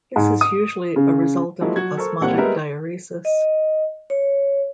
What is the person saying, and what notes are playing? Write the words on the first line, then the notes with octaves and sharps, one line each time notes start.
This is usually a result of osmotic diuresis.
G#2
D#6
C#3
F3 F#3 G#3 A#3 E4
F#3 F#4 G#6
A4 A#4 C5 C#6
D#1 G3 A#3 C4 F#5 F#6
G3 G#3 B3 A#4 B4 E5
D#5
C#5